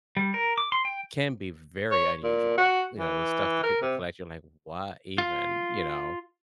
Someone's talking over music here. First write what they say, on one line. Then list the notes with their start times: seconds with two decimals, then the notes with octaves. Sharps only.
can be very unusual, you know, the stuff that people collect, you're like, "What even?" you know,
0.17 G3
0.34 A#4
0.58 D6
0.72 C6
0.85 G5
1.91 C#5
2.23 A#2
2.58 F#4
2.99 E3
3.63 A#4
3.82 C3
5.18 F4